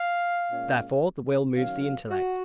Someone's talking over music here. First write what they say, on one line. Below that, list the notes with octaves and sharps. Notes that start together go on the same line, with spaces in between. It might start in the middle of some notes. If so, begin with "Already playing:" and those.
Therefore the will moves the intellect.
Already playing: F5
A#2 G#3 C#4
D#3 F#3 C#4 F5
F#4